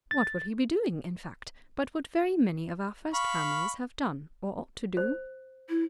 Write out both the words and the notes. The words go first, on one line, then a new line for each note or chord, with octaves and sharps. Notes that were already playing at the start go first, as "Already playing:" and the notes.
What will he be doing, in fact, but what very many of our first families have done, or ought to do?
A6
F5 B5 C#6
C5
E4